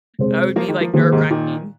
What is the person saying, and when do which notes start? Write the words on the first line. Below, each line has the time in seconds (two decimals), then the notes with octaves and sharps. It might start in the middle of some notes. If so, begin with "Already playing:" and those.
That would be, like, nerve wracking.
0.19 C3 G#3 C4 G#4 C5
0.56 F3 A#3
0.68 D#3 G#3
0.81 F3 A#3
0.93 C3 D#3 F3 A#3 G#4 C5
1.12 G#2 C3
1.30 A#2 D#3